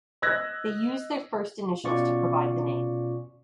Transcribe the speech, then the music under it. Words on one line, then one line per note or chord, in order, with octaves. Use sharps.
They used their first initials to provide the name.
D#5 E6 F#6 G#6 A#6
B2 C#4 F4 D5 C#6